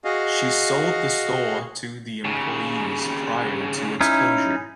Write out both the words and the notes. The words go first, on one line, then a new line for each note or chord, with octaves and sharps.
She sold the store to the employees prior to its closure.
F#4 G#4 D#5 F5
D#2 C#3
C#4 D#4 E4